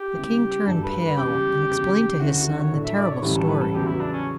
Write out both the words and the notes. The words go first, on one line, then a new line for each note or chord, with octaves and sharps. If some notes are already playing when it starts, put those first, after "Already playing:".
The king turned pale and explained to his son the terrible story.
Already playing: G4
C#3 G3 B3 E4
G2 F#3 A3 D4 F#4 A4
B4
B4
E2 C#3 G3 C#4 G4
E1 E2 C#3 F#3
D2 D3 F#3 C#4 E4 F#4
F#4
F#4
C#5
A2 F#3 A3 D4 A4
E5
D5
C#5
A1 A2 E3 G3 C#4 B4
A4
B4
A4
E2 C#3 F#3 B3 F#4 G4
E4
D4
C#4